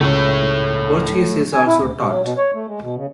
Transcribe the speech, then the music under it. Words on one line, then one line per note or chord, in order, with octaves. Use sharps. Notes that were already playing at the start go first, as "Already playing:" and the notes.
Portuguese is also taught.
C#2 A3 C#5
G#5
E4
D2
C3
F#3
B2
C#5
A3
G#3
B2
C#3